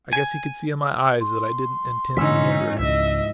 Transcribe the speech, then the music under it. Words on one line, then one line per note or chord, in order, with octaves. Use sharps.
I guess he could see in my eyes that I didn't intend to hinder him.
G#5
C6
G#2 D3 E3 F3 C#4 D#4 E6 B6
C#2 C#3 D#5 E5